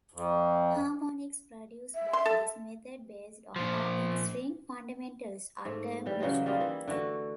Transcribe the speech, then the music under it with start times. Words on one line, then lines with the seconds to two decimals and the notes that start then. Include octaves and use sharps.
Harmonics produced by this method based on open-string fundamentals are termed natural.
0.14 F2
1.95 E5
2.13 C6
2.25 A4
3.56 A#2 F3
5.65 G#2 A3
6.06 E3 G3
6.20 C#3 E3 F#3 G#3
6.46 G3 A#3 D#4 F4
6.60 E3 E4
6.88 D3 E3 A3 F#4